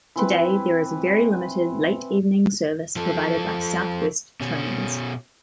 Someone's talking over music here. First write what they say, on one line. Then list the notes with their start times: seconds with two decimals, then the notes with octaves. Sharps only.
Today there is a very limited late evening service provided by South West Trains.
0.16 E3 C4 B4
2.96 F3 A4
4.41 B2 C#4